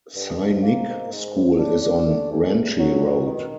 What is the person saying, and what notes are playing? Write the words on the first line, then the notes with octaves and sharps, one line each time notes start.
Sainik School is on Ranchi Road.
G2
G#2
A#3
G#2
G#2
A2
D4
D4
A3
E2
E2
F#3
B2
D#3